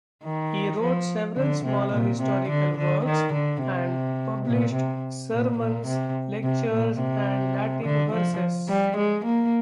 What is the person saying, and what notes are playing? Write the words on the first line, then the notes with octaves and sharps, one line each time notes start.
He wrote several smaller historical works, and published sermons, lectures and Latin verses.
D#3
F3
D3
C3
A#2
C3
D3
D3
D#3
D3
C3
A#2
C3
A#2
A#2
C3
C3
A#2
C3
D3
F3
G3
G#3
A#3